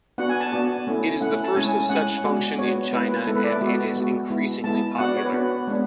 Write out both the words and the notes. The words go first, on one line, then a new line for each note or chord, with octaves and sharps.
It is the first of such function in China, and it is increasingly popular.
B3 D4 F#4 F#5
G#5
A5
B3 D4 F#4
A3 C#4 E4
A3 C#4 E4 F#5
A5
G#3 C#4 E4 G#5
G#3 C#4 E4 F#5
G#3 B3 D4 F#4
G#3 B3 D4 F#4 C#5
G#3 B3 E4 B4
G#3 B3 E4 A4
B4
D5
E5
G#3 B3 F#4
G#3 B3 F#4
G#3 B3 E4
G#3 B3 E4 A5
B3 D4 F#4 F#5
D5
C#5
B4
B3 D4 F#4
G#3 B3 D4